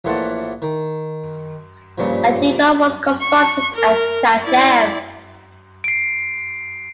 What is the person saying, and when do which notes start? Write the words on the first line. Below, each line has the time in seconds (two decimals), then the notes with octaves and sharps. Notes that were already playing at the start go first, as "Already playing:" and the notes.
A depot was constructed at Thatcham.
0.05 A#1 A2 E3 F4 F#5 A5
0.62 D#3
1.98 G2 A#2 C#3 F3
3.22 C#6
3.74 A#4
4.43 E4 D5
5.84 C7 D7